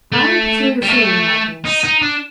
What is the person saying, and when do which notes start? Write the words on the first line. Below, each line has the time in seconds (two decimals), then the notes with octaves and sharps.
I have a peculiar feeling about this.
0.12 A3
0.83 G3
0.89 A3
1.65 D#4
1.84 D#4
2.02 D4